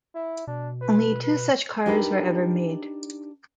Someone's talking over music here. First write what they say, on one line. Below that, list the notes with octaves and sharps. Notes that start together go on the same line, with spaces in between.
Only two such cars were ever made.
E4
B2 D4
B4
B4
D4 D#4 G4 A#4 B4 D#5